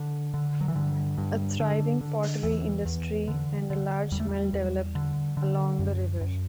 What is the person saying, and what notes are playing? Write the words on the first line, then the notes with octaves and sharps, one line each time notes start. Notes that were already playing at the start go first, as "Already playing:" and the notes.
A thriving pottery industry and a large mill developed along the river.
Already playing: D3
D3
F#3
E3
G2 D3
G2
D3
D3
E2 E3
E2
D3
D3
E2 G3
A3
G3
E2
D3
D3
F#2
F#2